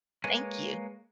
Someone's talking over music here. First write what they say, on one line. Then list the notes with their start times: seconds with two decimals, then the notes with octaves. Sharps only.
thank you.
0.24 G#3 A#3 B4 C#5 G#5